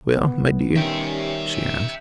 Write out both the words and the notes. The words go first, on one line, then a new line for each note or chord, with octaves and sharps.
"Well, my dear?" she asked.
B3
D#3 G3 C#4 E5 G5